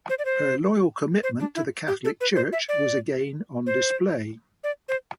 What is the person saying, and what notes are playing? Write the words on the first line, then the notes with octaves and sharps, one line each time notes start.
Her loyal commitment to the Catholic Church was again on display.
C5
D5
C5
C5
D4
E4
G4
A4
B4
C5
E5
D5
C5
D5
C5